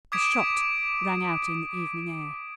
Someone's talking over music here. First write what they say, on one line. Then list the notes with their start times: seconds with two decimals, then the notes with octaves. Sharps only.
A shot rang out in the evening air.
0.12 D6 D#6 G#6 B6 D7